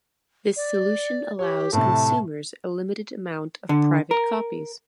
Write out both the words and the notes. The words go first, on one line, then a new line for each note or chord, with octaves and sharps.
This solution allows consumers a limited amount of private copies.
D5
G4 C#5
A2 C3 A5
D3
A#4